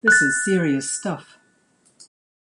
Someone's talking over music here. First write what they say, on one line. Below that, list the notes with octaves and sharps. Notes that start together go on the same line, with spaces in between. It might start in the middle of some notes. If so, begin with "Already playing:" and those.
This is serious stuff.
F#6 A6